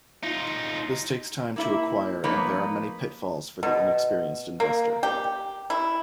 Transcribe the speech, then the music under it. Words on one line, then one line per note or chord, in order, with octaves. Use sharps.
This takes time to acquire and there are many pitfalls for the inexperienced investor.
D#4 F4
A#3 E4 E5
F3 A#3 B3 D#4 B4 C#5
B2
A#3
G4
E4